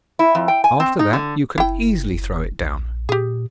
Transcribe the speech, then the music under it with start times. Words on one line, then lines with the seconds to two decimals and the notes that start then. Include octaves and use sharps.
After that you can easily throw it down.'
0.19 E4
0.35 F2
0.48 G5
0.64 G#5
0.80 C4
0.99 D#4
1.13 D3
1.58 F#1 E4 G5
2.13 F#1
2.60 A#1
3.09 A#2 G4 G#4